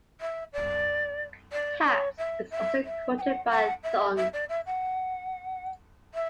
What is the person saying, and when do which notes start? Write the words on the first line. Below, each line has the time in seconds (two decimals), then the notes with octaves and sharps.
"Taps" is also quoted by Thunes.
0.21 E5
0.53 D5
1.52 D5
1.85 D5
1.89 C#5
2.18 E5
2.51 E5
2.85 E5
3.18 G#5
3.21 F#5
3.50 F#5
3.83 E5
4.16 E5
4.33 D5
4.49 E5
4.66 F#5
6.14 E5